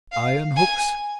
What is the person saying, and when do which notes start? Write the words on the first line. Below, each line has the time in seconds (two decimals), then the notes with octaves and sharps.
Iron hooks?
0.12 F5
0.57 G#5